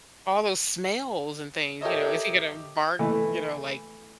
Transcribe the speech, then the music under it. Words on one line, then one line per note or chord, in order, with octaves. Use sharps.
All those smells and things, you know, is he gonna bark? You know, like
G4 A4 A#4 C#5 D#5 E5
E3 A3